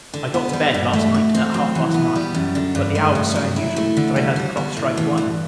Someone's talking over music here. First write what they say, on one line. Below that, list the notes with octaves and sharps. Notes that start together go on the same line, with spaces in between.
I got to bed, last night, at half past nine; but the hour was so unusual, that I heard the clock strike one.
D3
B3
G3
G2
A3
F#4
C4
F#3
E3
B3
G3
F#2
D3
G2
A3
G2
F#3
E4
A3
D3
G3
F#4
B3
A2
E3
G2